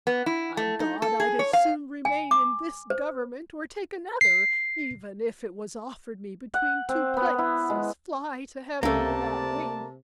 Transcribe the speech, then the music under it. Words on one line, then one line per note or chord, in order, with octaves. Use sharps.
By God I'd as soon remain in this government, or take another, even if it was offered me between two plates, as fly to heaven without wings.
B3
E4
A3
D#4
A4
G#4
C#5
F5
G#5
D6
C5
C7
F#5
C4
B3
E4
G#3
C#2 C3 A3 A#3 C#4 A4 D5 A5